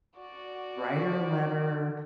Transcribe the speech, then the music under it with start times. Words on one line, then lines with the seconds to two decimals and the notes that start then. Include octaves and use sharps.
write her a letter,
0.18 F#4 D5